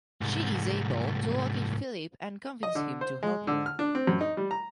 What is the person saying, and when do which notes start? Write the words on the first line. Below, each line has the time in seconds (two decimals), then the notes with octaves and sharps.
She is able to locate Philippe and convince him to help her.
0.21 C2 G#2
2.63 D#5
2.75 D3
3.01 C5
3.23 G#3
3.47 D3
3.66 F6
3.79 D4
3.95 C4
4.07 F#2
4.21 D#4
4.37 G3
4.51 A#5